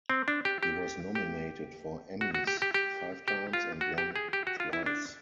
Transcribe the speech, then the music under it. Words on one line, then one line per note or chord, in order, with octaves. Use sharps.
He was nominated for Emmys five times and won twice.
C4
D4
G4
G4
G4
F#4
F#4
G4
G4
G4
G4
F4
F#4
G4
G#4
G4
F#4
F4
E4
D4